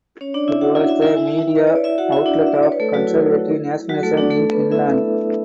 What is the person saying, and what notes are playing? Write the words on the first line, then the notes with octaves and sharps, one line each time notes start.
It was the media outlet of conservative nationalism in Finland.
C#4 C#5
D4 D5
E4 E5
F#4 F#5
E4 E5
E4 E5
E4 E5
B4
C#5
D5
E4 E5
F#4 F#5
E4 E5
D4 D5
E5
D5
C#5
B4
A3 A4
F#3 F#4
E4
F#3 F#4
A3 A4
D4 D5
A3 A4
B3 B4
E4 E5